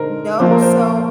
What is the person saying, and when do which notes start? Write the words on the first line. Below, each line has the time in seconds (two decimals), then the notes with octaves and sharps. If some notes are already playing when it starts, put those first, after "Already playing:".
No, so
Already playing: D3 G#3 D#4 A#4 C5
0.40 F3 A#3 F4 C5
0.51 A#4
0.62 C5